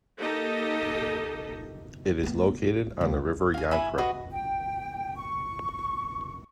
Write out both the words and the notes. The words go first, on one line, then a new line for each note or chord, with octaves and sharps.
It is located on the river Yantra.
A#3 D#4 G4 A4 D#5
A3 B3
D1
C#2 D3
F5 G#5
E4 G#5 B5
F#4 B4 D#5 C#6
G5
C#6